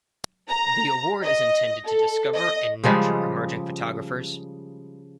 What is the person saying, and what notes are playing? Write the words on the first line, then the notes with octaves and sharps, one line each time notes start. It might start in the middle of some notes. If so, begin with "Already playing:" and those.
The award is intended to discover and nurture emerging photographers.
A#5
D#5
A4
D#5
C#3 F3 G3 G#3